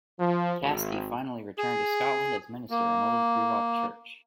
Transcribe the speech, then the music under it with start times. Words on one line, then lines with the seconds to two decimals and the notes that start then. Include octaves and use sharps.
Caskie finally returned to Scotland as minister in Old Gourock Church.
0.17 F3
0.60 G#1
1.58 G#4
2.70 A#3